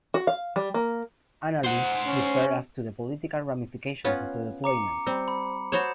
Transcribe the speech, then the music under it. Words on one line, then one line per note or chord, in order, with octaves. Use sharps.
Analysts differ as to the political ramifications of the deployment.
F#4
F5
G3
A#3
C5 F#5
C#4
B3 C#4 F4
A#5 D6 C#7
G3 C4
B5
F#4 C5 C#5 B5 D#6 E7